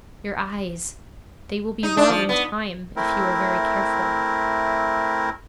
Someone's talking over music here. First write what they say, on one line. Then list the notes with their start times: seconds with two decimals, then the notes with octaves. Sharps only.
'Your eyes--they will be well in time, if you are very careful.'
1.83 D#4
1.97 D4
2.09 F3
2.29 B3
2.96 A3 C4 E4 A#4